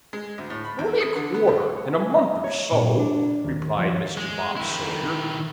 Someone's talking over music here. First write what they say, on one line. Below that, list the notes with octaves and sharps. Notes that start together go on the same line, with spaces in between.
'Only a quarter, and a month or so,' replied Mr. Bob Sawyer.
G#3
D2
A2
B5
E2
D#6
D3
B3
D#2
F#5
G#5
A#5
C#5
A#2
D4
D#2
F3
C#5
G#3
D#3 E4